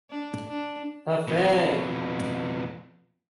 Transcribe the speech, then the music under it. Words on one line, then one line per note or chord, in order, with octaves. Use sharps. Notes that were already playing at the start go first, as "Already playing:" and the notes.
The Fig.
D4
D4
F2 B2